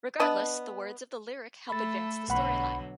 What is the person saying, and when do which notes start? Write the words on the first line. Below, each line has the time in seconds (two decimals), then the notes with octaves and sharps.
Regardless, the words of the lyric help advance the storyline.
0.20 B3 D4 D#5 A5
1.69 A3 A4 B5 A6
2.29 B1 B2 D3 F#3 F#5 B5